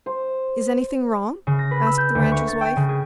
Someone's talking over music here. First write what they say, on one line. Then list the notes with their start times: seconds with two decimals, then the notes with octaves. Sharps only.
"Is anything wrong?" asked the rancher's wife.
0.06 C5
1.47 C#3
1.59 A#6
1.71 B4
1.86 E6
1.98 G6
2.15 D2
2.32 C#6
2.48 A6
2.61 G5
2.76 C#3
2.89 G#4